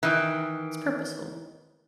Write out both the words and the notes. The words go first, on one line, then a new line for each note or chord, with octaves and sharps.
It's purposeful.
D#3 E3